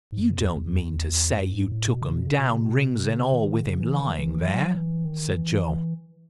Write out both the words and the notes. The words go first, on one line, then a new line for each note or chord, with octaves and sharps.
"You don't mean to say you took 'em down, rings and all, with him lying there?" said Joe.
G#2
F#2
E2
E2
F#2
G#2
A2
B2
C#3
B2
C#3
B2
C#3
B2
C#3
D#3
C#3
E3
D#3
E3
F#3
E3
D#3
E3